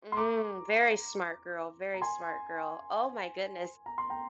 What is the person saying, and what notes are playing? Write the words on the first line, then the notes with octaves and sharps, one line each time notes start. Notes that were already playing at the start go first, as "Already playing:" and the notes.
Mm, very smart girl, very smart girl, oh my goodness.
C6
A#5 D6
A#5
G#5 C6
A#5
C6
G5 A#5